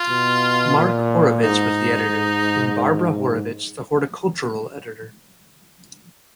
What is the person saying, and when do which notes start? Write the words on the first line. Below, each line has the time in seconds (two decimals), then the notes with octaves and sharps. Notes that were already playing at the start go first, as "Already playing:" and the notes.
Marc Horovitz was the Editor and Barbara Horovitz the Horticultural Editor.
Already playing: F4
0.10 B2
0.77 A#2
1.43 G#2 D#4